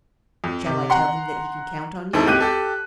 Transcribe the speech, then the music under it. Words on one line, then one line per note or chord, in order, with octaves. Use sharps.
"Shall I tell him that he can count on you?"
F2
C3
F#5 A#5 C6
D#2 C4 D#4 E4 A4
C#2 G4 F#6 D#7
G4 A4